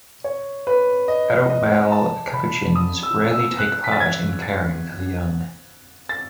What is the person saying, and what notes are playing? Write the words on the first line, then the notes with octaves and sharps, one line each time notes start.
Adult male capuchins rarely take part in caring for the young.
C#5
B4
D#5
D#5
A5
B5
D#6
E6
E6
F#6
B6
A6
G#6
A6
A6